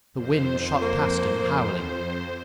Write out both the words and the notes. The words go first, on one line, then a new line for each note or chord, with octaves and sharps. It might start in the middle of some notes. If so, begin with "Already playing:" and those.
The wind shot past him howling.
F2 C5
A#3